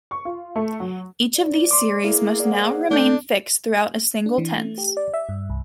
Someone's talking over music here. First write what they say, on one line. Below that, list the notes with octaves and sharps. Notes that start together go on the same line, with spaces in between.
Each of these series must now remain fixed throughout a single tense.
C#6
F4
A3
F#3
A3 C5 D5
C6 D6
A#3 E4 G#4
C5 D5 F#5
A3 B3 D4 A4 G6
D4
E3
A3
G4
D5
E5
G2
C2